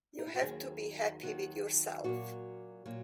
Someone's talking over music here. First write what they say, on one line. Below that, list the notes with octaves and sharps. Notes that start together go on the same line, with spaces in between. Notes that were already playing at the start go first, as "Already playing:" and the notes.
You have to be happy with yourself.
D#4
E4
F#4
D#2 D#3 F#3 G#4
D#2 D#3 F#3 F#4
A#2 F#3 A#3 F#4
A#2 F#3 A#3